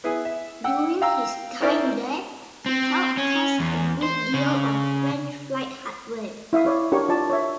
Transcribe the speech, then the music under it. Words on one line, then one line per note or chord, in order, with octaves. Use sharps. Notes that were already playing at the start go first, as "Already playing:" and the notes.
During his time there, he helped test a great deal of French flight hardware.
B3 E4 G#4
E5
F#5 G5 E6
F5 G5 A#5 E6
C#4 D#4 E4 A#4 C5 D5
C4
C#4
E2
C5
C#3
E4 E5 F5 D#6
E4 C#5 D5
D4 F#4 G4 A#4 C#5 C#6
F4 D5 A5
C#5 E5